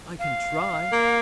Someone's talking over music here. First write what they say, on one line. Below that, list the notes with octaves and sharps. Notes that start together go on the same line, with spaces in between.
"I can try."
F5
A#3